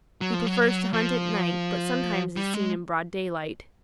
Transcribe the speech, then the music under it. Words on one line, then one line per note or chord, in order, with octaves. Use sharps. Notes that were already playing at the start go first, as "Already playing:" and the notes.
He prefers to hunt at night, but sometimes is seen in broad daylight.
F#3
F3
F#3
F3
G3
G#3